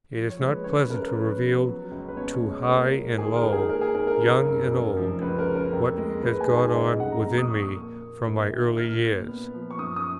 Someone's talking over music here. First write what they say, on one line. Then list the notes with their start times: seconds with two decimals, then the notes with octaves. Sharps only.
It is not pleasant to reveal to high and low, young and old, what has gone on within me from my early years.
0.13 F3
0.30 C#5
0.39 G#3
0.47 B4
0.64 C#3 C#5
0.77 B4
0.90 C#3 A#4
1.03 A#4
1.15 F3 B4
1.40 B3
1.66 F#3
1.91 C#2
2.09 B4
2.16 B2 C#5
2.42 G#3
2.67 A#3
2.93 F4
3.18 D#3 G#4
3.36 A#4
3.43 G#1
3.53 G#4
3.69 A#3 A#4
3.81 G#4
3.95 G#1 A#4
4.07 A#4
4.20 C#3
4.45 F#2
4.71 F1
4.97 F3
5.22 C#2 B4
5.39 A#4
5.47 C#3
5.55 A#4
5.72 F2
5.97 G#3
6.23 G#3 B4
6.41 G#5
6.48 G#2
6.58 G#5
6.73 C#3 D#5
6.99 F2 F#5
7.12 A#5
7.24 A#2
7.38 D#6
7.50 A#2 C#6
7.62 D#6
7.76 A#3
8.00 A#3
8.27 A#1
8.52 D#3
8.77 A#2 F6
9.02 A#2
9.28 B3
9.54 F3
9.71 C#6
9.78 F#2 D#6
9.96 D#6